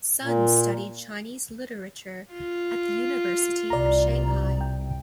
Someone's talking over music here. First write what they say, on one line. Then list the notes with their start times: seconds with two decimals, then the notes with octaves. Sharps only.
Sun studied Chinese literature at the University of Shanghai.
0.23 A#2
2.32 F4
3.70 C2 D5 A#5
4.61 G5